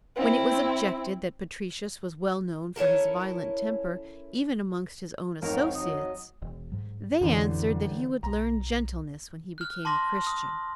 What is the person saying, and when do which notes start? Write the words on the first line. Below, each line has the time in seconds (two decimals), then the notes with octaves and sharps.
When it was objected that Patricius was well known for his violent temper even amongst his own associates, they answered that he would learn gentleness when he became a Christian.
0.16 C4 E4
2.76 C#4 E4 A4 A#4
5.42 G#1 F2 G#2 D#3 D#4 A#4 C#5
5.75 F#3 D#5
6.42 E1
6.72 G#2 F#3
7.21 A1 F2 D3 E3
8.23 B1 A#5
9.58 F6 F#6
9.85 A5 C6 D6 A#6 F#7
10.27 D#6